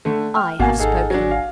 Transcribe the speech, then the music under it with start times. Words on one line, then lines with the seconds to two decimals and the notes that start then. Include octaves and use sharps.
I have spoken.'
0.05 D3 A3
0.36 G5 F6
0.59 G#1 B2 A#3 F5 F#5 G#5
0.79 D#4 G#4 A4
1.10 F#3 D4
1.31 F5